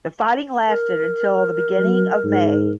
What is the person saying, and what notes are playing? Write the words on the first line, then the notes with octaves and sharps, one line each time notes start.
The fighting lasted until the beginning of May.
A#4
F#3
G#2